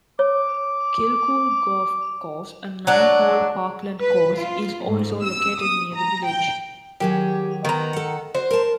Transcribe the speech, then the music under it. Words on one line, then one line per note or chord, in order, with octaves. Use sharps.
Kilcoole Golf Course, a nine-hole parkland course, is also located near the village.
C#5 D6
F#3 D4
B4
F4
G#2
E6
D#6
A#5
G5
D#3 F#3 G4 G#4
D#3 B3 A#5
A4 F#5
F#4 C5
A#4 A5